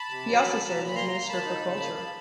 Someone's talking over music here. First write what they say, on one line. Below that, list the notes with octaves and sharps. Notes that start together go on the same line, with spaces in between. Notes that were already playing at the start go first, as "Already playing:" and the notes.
He also served as Minister for Culture.
Already playing: A5 B5
C3
F#3
A#3
F#3
A#5
A#2 B5
A#3 A#5 C6
A#3
A#5
A#3 A5 B5
D#4
C#3
A#3
F3